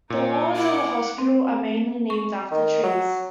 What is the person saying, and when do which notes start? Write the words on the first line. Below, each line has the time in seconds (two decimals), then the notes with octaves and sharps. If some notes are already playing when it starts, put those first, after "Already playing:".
The wards of the hospital are mainly named after trees.
0.10 A#2 D#4
0.55 E4 F#5 D6
1.18 C4
2.10 C#6
2.51 D#3
2.83 F#3